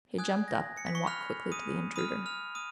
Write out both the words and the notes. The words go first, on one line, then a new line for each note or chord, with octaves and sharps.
He jumped up and walked quickly to the intruder.
G#5 D#6 F#6 G#6
A#6
C#7
B6
C#6 C#7
B5 F6 F#6 F7
D#6 D#7
B5 D#6 F6 D#7
F6 F7
D#6 D#7